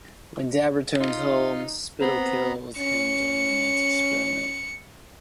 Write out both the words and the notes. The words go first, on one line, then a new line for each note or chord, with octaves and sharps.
When Dab returns home, Spittle kills him during an experiment.
D#4 F4 C6
B3 C4 A#5 B5
C#4 C#7